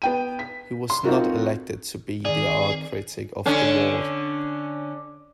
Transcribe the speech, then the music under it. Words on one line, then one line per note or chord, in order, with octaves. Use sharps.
He was not elected to be the art critic of the ward.
B3 G5 D#7
B6
C6
C4 D#4 F4 F#4 A#4
D#3 C4 G#4 D5
D3 C#4